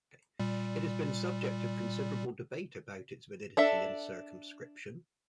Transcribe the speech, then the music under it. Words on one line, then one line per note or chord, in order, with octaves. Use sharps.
It has been subject of considerable debate about its validity and circumscription.
A#2 G3
D4 A4 E5